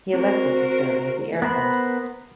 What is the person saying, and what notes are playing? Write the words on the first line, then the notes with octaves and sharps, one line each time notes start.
He elected to serve with the Air Force.
C4 F#4 A#4 C5
B3 A#4 C5 B5